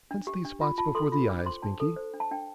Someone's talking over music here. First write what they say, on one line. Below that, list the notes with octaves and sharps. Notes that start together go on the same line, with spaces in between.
Hence these spots before the eyes, Binkie.
D4
G4
D4
F4
F4 A5
A4 C6
F4
D4 D6
C5 C6
D4 A5
A4
C5
D4
A5
D4 G5